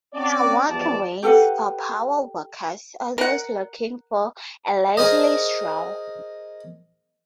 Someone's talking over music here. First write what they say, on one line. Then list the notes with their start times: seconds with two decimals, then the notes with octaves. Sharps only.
There are walkways for power walkers or those looking for a leisurely stroll.
0.14 C4 C#4 F#4 D5
0.68 E2 F3 G3 B3 D5 A5
1.23 G4 A4 B4 F#5
3.18 A#4 F#5
4.97 G#4 A#4 C5 D#5